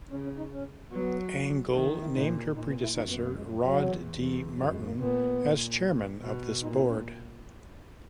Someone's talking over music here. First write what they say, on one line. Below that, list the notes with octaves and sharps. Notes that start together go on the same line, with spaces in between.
Angle named her predecessor, Rod D. Martin, as chairman of this board.
C#3 C#4
C#4
D#4
C#4
F#3 B3
D#3 A#3
D#4
E4
A#2 D#4
A#2 D#4
B3
E4
F#2 D#4
B3
A#3
G#3
F#3
F#3
E2
E2
F#2 F#3
G#3
A#3
A#2 B3
A#2
B2
A#2 D#4
E4
C#4